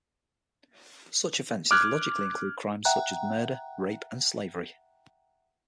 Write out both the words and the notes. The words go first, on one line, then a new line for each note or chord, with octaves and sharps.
Such offenses logically include crimes such as murder, rape and slavery.
D6 F6 F#6 G#6
E5 F#5 G5 A#5 F#6